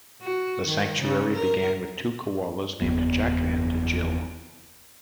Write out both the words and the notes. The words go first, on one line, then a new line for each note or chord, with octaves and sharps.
The sanctuary began with two koalas called Jack and Jill.
F#4
D#3
C#3
A#4
F#1 E2 B3